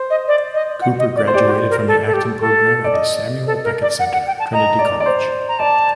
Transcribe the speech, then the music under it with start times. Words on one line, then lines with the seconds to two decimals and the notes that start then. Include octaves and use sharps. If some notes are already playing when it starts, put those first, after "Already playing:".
Cooper graduated from the acting program at the Samuel Beckett Centre, Trinity College.
Already playing: C5
0.10 D#5
0.28 D5
0.54 D#5
0.82 F#5
0.99 D#5
1.16 D5
1.28 C5
1.34 G4 D5
1.46 F#4
1.52 G4
1.70 A#4
1.88 A4
2.07 A4
2.13 G4
2.41 A4
2.84 D5
2.94 D#5
3.47 A4
3.64 A#4
3.82 D5
3.99 F#5
4.13 F#5
4.27 G5
4.39 A5
4.53 D#5 A#5
4.79 D5
5.00 D5
5.06 C5
5.49 A#5
5.59 D5 A5